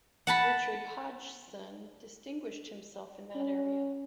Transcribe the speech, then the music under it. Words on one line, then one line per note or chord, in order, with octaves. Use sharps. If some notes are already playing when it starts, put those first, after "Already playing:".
Richard Hodgson distinguished himself in that area.
F#5 A5 B5
C#4